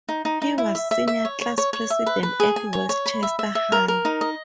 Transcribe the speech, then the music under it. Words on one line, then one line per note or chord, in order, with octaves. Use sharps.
He was senior class president at Westchester High.
D#4
D#4
D#4
E4
E5
E5
E5
C#5
C#5
C#5
C#5
E5
B4
B4
G#4
G#5
C#5
C#5
B5
E5
E5
E5
A#4
A#4
D#4
D#5